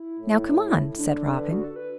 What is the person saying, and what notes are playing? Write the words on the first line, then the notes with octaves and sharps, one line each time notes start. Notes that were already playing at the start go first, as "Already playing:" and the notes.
"Now, come on," said Robin.
Already playing: E4
A2
D3 D4
B4
F#4
A4
B4